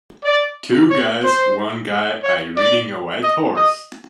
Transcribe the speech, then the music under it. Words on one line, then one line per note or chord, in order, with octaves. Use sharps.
Two guys one guy i ridding a white horse.
D5
C#5
C5
C#5
D5
D#5
D#5